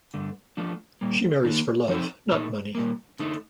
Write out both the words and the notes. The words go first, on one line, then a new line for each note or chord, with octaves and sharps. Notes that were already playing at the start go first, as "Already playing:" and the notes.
She marries for love, not money.
G2 D3 A3
F3 A3 D4 F4
A#2 G3 A#3
D#3 A#3 D#4
F3 C4 D#4 A4 C5
A#2 A3 D#4
A#2 G3 A#3
D3 A3 D#4